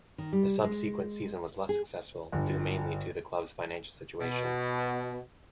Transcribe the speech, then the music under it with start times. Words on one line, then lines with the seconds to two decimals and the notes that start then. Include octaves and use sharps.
The subsequent season was less successful, due mainly to the club's financial situation.
0.18 D#3
0.33 G3
0.64 G#3
1.69 G#4
2.32 G1
4.21 B2